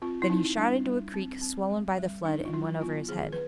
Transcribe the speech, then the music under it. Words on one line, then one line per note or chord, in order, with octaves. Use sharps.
Then he shot into a creek, swollen by the flood, and went over his head.
C4 F4
E4
C4 D#4
G3 D4
G3
C4
C4
G3
G3
D4 D#4
F4
F#3 E4
B3 F4
D#3 G#4
B4